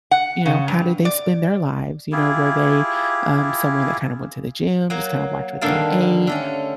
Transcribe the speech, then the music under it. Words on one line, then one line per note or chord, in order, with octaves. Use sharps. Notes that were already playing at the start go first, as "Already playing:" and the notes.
you know, how did they spend their lives? You know, were they, um, someone that kinda went to the gym, just kinda watch what they ate,
F#5
C#3
G2
D5
E4 F4 G4 G#4
F#3 A#3
G2 D3 D#3 A#3 F5 A5
D3 A3 C#4